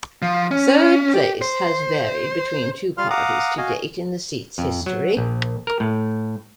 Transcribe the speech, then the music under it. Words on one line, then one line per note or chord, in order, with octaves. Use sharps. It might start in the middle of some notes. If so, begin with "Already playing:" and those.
Third place has varied between two parties to date in the seat's history.
F3
C#4
G4
C5
G3 F4 F5 C6 F6
F5 F#5 A#5 D6 D#6
F#4 D#5 F5 G#5
F2
F#3
A#1
A#4
A2